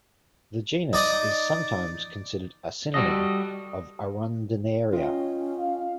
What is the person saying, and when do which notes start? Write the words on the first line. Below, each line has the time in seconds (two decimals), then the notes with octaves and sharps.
The genus is sometimes considered a synonym of "Arundinaria".
0.93 D#4 D5 D#5
2.94 G3 F#4 A4 D#5
4.92 C#4 F4 D#5 G5
5.59 F5